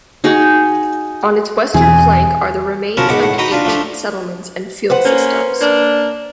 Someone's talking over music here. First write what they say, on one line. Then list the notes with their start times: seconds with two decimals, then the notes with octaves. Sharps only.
On its western flank are the remains of ancient settlements and field systems.
0.24 D#4 F#4 G#4
1.74 E1 E3 C4 G#4
2.97 F3 B3 C#4 F#4 A#4 A5
3.09 G#2 B3 F#5 D6
3.22 A2 F#5
3.38 D#4 F#4 B4 G5 A#5 B5
3.51 D4 F4 B4
3.65 F3 A3 D4 G4
4.90 B4 C5 F#5
5.06 A#3 C#4
5.61 A#3 D4